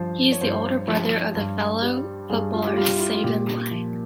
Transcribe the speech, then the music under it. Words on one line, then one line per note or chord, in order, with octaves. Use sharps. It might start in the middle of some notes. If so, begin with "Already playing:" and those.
He is the older brother of fellow footballer Sabin Ilie.
Already playing: G2 F3 C5
C#5
G2 C5
F3
G2
G3
G2 G#4
F4
G4
G3 F4
E4
F4
F4
A#2 G4
F3